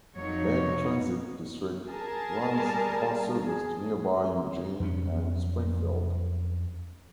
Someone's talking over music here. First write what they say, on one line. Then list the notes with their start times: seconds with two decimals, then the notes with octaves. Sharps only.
Lane Transit District runs bus service to nearby Eugene and Springfield.
0.17 F2 F#3 A#3 D#4 C#5
1.89 G#4 A#4 A5
2.58 G3
3.45 G#4
4.80 F2 F#3 C4 C#4